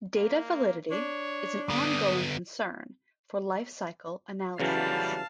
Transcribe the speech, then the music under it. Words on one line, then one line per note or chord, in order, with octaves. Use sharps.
Data validity is an ongoing concern for life cycle analyses.
A#3
D4 C#5
D3 B3 D#6
E2 C#3 E3 F#3 G3 F5 A5